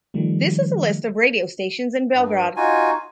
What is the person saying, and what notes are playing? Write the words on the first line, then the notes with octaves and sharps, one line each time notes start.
This is a list of radio stations in Belgrade.
D#3 F3 G3 A3
G2
D#4 F4 F#4 G#5